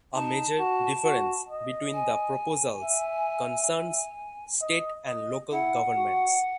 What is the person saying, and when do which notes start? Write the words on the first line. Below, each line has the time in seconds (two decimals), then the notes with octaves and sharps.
A major difference between the proposals concerns state and local governments.
0.14 D#4 A5
0.59 F#4
1.05 F#4
1.49 D#5
1.94 G#5
2.83 E5
4.62 D#5
5.07 D#5
5.52 E4 F#5
5.97 F#4